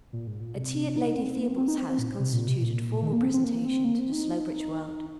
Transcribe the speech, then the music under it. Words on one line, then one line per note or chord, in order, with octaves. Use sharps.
A tea at Lady Theobald's house constituted formal presentation to the Slowbridge world.
A#2
G#2
A#2
C3
D#4
C4
A#3
C4
C4
D#4
C4
C4
A#2
C3
A#2
C3
A#2
D#3
A#3
C4
C4
A#3
C4
A#3
C4
D#4